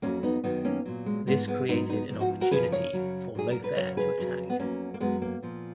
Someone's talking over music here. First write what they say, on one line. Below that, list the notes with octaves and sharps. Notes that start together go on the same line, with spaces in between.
This created an opportunity for Lothair to attack.
F2 D#3 F#3 A#3 C#4
B3 D#4
F#2 D#3 F#3 B3 D#4
A#3 C#4
A#2 F#3
G#3
G#2 F3 G#3 B3
G#3 B3
G#2 F#3 B3 D#4
B3 D#4
G#2 F3
D#4 F#4
F#4 A#4
F#2 C#3 F3 G#4 B4
A#4 C#5
F#2 C#3 F#3
A#2 F#3 G#4
A#4
B4
F#2 C#3 F#3 A#4 C#5
G#4 B4
F2 C#3 F#3
B3
F2 D#3 F#3 A#3 C#4
A#3
F#2 D#3 F#3 G#3 B3
A#3
A#2 F3